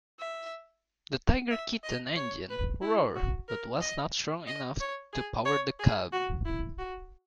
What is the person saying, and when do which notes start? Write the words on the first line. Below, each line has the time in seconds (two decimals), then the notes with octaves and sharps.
The "Tiger Kitten" engine roared but was not strong enough to power the Cub.
0.19 E5
1.50 E5
1.84 D#5
2.16 C#5
2.50 B4
2.82 E4
3.15 F#4
3.48 A#4
3.81 D#5
4.47 D#5
4.80 C#5
5.13 G#4
5.45 C#5
5.79 G#4
6.12 F#4
6.45 E4
6.78 F#4